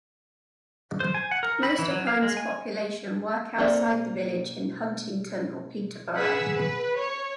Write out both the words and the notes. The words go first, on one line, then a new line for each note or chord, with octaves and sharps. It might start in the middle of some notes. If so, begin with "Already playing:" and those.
Most of Holme's population work outside the village in Huntingdon or Peterborough.
C5
G#5
F#5
A#4
B5
E3
F#3
F5
G#3
G#5
A#3 C4 A4 D5 E5
G#4 B4 F#5 E6 B6
B4
C#5